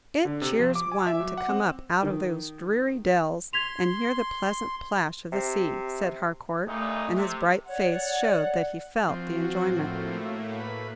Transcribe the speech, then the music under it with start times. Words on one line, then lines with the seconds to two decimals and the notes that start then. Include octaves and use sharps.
"It cheers one to come up out of those dreary dells, and hear the pleasant plash of the sea," said Harcourt; and his bright face showed that he felt the enjoyment.
0.25 D3
0.41 C3
0.59 F3
0.75 D6
0.92 G#5
1.07 E5
1.20 F#3
1.37 F#5
1.49 C4
2.03 D#3
3.53 C6 G#6 B6 F7
5.32 C3
6.67 G2 A#2 A3 D#4
7.15 C3
7.68 C#5 D5 F#5
9.08 F3 C4 F#4
9.62 A2 A3 A#3
10.60 B4